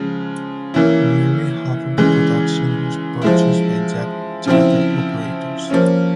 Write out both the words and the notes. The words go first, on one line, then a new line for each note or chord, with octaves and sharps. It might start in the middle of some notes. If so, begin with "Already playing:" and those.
Nearly half of the production was purchased by yacht charter operators.
Already playing: C#3 F3 G#3
E3 A#3 C#4 E4
C#3 E3 G#3
F3 G#3 E4
C#3 F3 C4 E4
F3 A#3 C#4